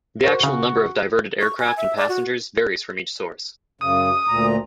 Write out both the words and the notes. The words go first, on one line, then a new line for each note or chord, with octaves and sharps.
The actual number of diverted aircraft and passengers varies from each source.
F#4 A#4 C5
C#3
C#6
G#5
E5
D5
F#4
F#2 C#3 D#6
D2 A#2 A#5